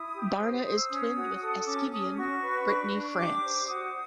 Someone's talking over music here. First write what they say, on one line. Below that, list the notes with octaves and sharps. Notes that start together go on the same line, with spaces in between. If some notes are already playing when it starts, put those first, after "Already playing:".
Barna is twinned with Eskevien, Brittany, France.
Already playing: E4 D#6
G4
C5
C5 D#6
E6
C#4 D#6
F#4
A4
C#4 D6
C#4 D#6
F#4 C#6
B4
D4
D4
C#6
G4 D6
C5
F#4 D#6